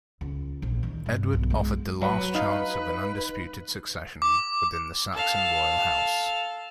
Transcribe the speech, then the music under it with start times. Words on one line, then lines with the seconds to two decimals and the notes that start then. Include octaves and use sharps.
Edward offered the last chance of an undisputed succession within the Saxon royal house.
0.21 C#2
0.62 A#1
0.83 D#3
1.06 G2
1.33 B1
1.50 G#3
2.02 F#3 B4
2.35 D#4 F5
4.22 D6
5.13 A4 F5